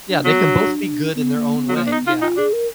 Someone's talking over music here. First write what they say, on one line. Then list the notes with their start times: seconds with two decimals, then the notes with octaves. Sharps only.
Yeah, they can both be good in their own way, yeah,
0.09 D4
0.24 F#3 B3
0.40 D4
1.15 B3
1.36 A#3
1.56 B3
1.69 F#3
1.76 F3 A#3
1.86 D4
1.92 B3 D#4
2.07 D#4 F4
2.22 D#4 F4
2.37 D4 G#4
2.53 A#4